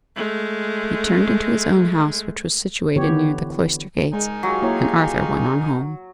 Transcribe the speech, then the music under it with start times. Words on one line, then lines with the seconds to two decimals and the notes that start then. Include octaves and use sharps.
He turned into his own house, which was situated near the cloister gates, and Arthur went on home.
0.16 G#3 A3
2.96 D3 E3 B3 G4 C#5
4.13 G#3 D#4 A#4 G#5
4.43 F#3 F4 G4 G#4
4.62 A#3 E4 C#5